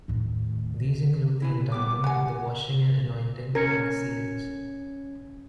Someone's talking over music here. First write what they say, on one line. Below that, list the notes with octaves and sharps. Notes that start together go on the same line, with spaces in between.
These include the endowment, the washing and anointing, and sealings.
D#2 A2
E4 G#5
G3 B3 D6
E2 G#2 F#4 G4 F#5 G#5
C#4 A#4 G#6 C#7